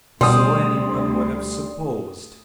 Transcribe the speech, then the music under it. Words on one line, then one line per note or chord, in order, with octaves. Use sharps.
So any one would have supposed.
D2 B2 G3 C6 D#6